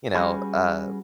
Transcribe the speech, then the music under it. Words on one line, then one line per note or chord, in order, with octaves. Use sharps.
you know, uh,
G3 C#4 F#4 G#4 B4